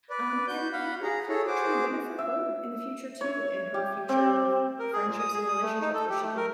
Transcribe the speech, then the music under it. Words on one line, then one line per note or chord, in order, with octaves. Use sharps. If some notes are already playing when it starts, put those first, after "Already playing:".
um, and, you know, it could actually benefit her in the future too, in her future f friendships and relationships where she can
B4 D5
F#4 G6
F5 F#5 B5
G#4 A#5
G#4 A4 C#5
F#4 G#4 C5 D6
E5
C#5
G4
C4
A#4
G#4
A#2
D#6
G#4
D#6
A3
D#4
A4
G4
A3
A#4